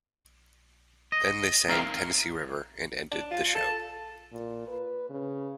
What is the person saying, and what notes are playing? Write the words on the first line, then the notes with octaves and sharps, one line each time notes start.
Then they sang Tennessee River and ended the show.
D#5
C4 D#4 A#4 E5 F5
D4
F4
A4
A#2
B4
C#3